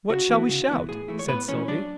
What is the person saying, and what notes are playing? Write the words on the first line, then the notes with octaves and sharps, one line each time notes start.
"What shall we shout?" said Sylvie.
C#3 F#4
E3 B3 E4
C#3
E3 B3 E4
A2 G#4
E3 A3 E4
C#5
A2 B3 B4
E3 A3 C#4 E4 C#5
F#3 D4 D5